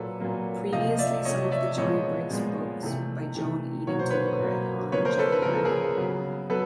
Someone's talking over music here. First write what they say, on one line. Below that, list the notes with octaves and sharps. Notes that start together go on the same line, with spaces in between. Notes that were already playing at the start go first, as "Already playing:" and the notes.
Previously some of the Jonny Briggs books by Joan Eadington were read on Jackanory.
Already playing: A#2 F#3 A#3 A4 B4
A#2 F#3 A#3
C3 F3 A3 D#5 F5
D5 E5
C3 F3 A3 C#5 D#5
D5 E5
A#2 F3 G#3 B3 C#5 D#5
A#2 F3 G#3 B3
C3 E3 A3
C3 E3 A3
B2 F#3 A#3 C#5
C5
B4 C#5
B2 F#3 A#3
C#3 F3 A#3 B4 C#5
A#4 C5
A4 B4
B4
C#3 F3 A#3 A#4
A4
G#4 A#4
C#3 F#3 B3
F#3 B3 A4 B4